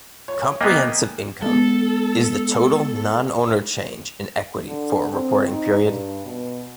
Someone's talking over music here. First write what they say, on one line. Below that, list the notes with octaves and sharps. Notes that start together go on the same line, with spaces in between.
"Comprehensive income" is the total non-owner change in equity for a reporting period.
C#5
A#3 B3 D#5 G5 G#5
G#3 B3 A4
D3
C4
D#4
G2
B2